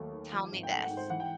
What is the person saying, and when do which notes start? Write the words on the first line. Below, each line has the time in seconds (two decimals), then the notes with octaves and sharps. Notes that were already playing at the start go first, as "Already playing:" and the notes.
tell me this."
Already playing: D#2 F#3 A3
0.13 D#3
0.33 F3
0.52 G#1
0.63 G5
0.71 A3 F#5
0.84 F#5
0.90 G#2
0.97 C5
1.10 E3 F#5
1.20 G5